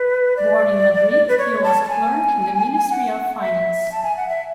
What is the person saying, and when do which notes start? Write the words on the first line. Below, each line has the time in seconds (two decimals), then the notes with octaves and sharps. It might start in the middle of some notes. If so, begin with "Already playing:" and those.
Born in Madrid, he was a clerk in the ministry of finance.
Already playing: B4
0.37 D5
1.29 B4
1.38 C#5
1.64 A5
1.84 A5
1.89 G#5
2.91 F#5
3.41 E5
3.92 A5
4.04 G#5
4.17 F#5
4.29 E5